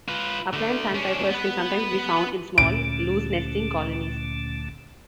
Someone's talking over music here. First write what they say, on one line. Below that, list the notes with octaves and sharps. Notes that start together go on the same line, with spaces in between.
Upland sandpipers can sometimes be found in small, loose nesting colonies.
F4 B4
D3 A3
C#4 D4
B3 B4
D2 A#2 D3 A3 C#4 D7